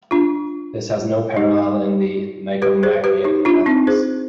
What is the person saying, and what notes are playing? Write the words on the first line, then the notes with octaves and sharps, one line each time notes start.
This has no parallel in the "Nicomachean Ethics".
D4 F4
D#4 G4
G4 B4
G#4 C5
G4 B4
D#4 G4
D4 F4
C4 D#4
G#4 C5